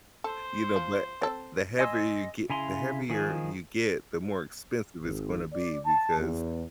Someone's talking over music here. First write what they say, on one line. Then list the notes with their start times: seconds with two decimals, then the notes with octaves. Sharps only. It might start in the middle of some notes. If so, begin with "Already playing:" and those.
you know, but, eh the heavier you ge the heavier you get, the more expensive it's gonna be because
0.24 A4 C5
0.76 F3
1.21 C4 A4
1.79 D#5 G#5 C6 E6
2.50 C#3 E4 G#5 A#5 C6
3.10 D#3 F3 G#4
5.03 G#1
5.53 D5
5.86 A5
6.18 E2